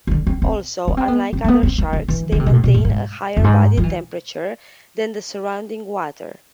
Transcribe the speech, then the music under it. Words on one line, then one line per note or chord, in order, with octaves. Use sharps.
Also, unlike other sharks, they maintain a higher body temperature than the surrounding water.
E3
D3
C4
C4
B3
C4
B3
C4
A3
B3
C4
B3
D3
E3
D3
C3
B2
A2
B2
A2
G#2
F2
G#2
F3
E3